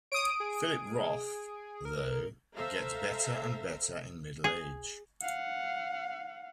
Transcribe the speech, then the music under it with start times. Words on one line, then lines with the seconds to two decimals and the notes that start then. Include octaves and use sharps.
Philip Roth, though, gets better and better in middle age.
0.12 C#5 D#6 D7
0.40 G#4
1.85 A#4
2.55 A4 C5 E5 F5 A#5
4.44 G#4
5.21 F5 F#5